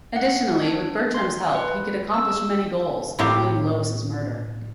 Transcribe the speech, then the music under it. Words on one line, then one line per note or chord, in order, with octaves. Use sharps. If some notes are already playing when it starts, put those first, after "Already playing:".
Additionally, with Bertram's help, he could accomplish many goals, including Lois' murder.
F#5
D4
C6
B4
E6
A2 A#3 C4 G4